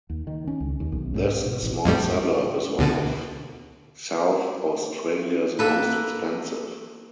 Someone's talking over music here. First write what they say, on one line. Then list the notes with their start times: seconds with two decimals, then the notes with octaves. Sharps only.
This small suburb is one of South Australia's most expensive.
0.09 D#2
0.27 D#3
0.47 C#4
0.60 C#2
0.80 D#2
0.92 B1
1.14 G#2
1.46 B2
1.63 A1
1.85 F2 A2 G3
2.79 D2 B2 D3
5.59 A#3 A4 B4